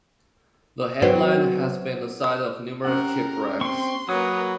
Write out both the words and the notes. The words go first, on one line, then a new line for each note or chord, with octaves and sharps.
The headland has been the site of numerous ship wrecks.
F#3 B3 C4
C#4 G4 A#4 F#5
C4 C6 C#6
F#3 A#3 B4 D#6